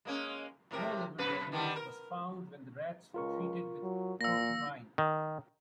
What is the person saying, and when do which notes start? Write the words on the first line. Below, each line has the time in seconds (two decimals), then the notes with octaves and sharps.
No liver damage was found when the rats were treated with protamine.
0.05 G#3 A#3 C#4
0.71 A2 C3 A#4
1.18 F#2 B2 B4
1.52 D3 D#3 G3
1.76 A#4
3.14 C#2 F4 A#4 C#6
3.83 F#3
4.21 A#2 A#3 F5 E6 A#6
4.98 D#3